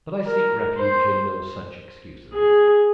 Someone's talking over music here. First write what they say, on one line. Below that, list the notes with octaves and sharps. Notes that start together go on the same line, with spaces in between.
But I seek refuge in no such excuses.
A#4
C5
G#4